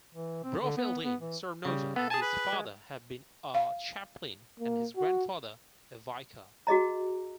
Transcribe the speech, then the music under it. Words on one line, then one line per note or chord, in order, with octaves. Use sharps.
Brofeldtin saarnoja and his father had been a chaplain and his grandfather a vicar.
E3
C4
D3
B3
B3
E3
C#3 G3
B3 A4
G#4 G#5 A5
B4
G#3
F5
A#3
F#4
F#4 G#4 D#5 A#5